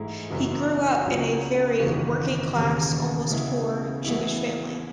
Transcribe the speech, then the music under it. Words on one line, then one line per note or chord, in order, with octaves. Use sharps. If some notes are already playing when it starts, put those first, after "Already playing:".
He grew up in a "very working-class, almost poor" Jewish family.
Already playing: G#2 E3 A3 E4 G#4
F#1 F#2 E3
C#2 C#3 F#3
F#1 E2 D#3
E1 D#2 C#3
C#3 G#3 B3 E4
A1 A2 G#3 B3 E4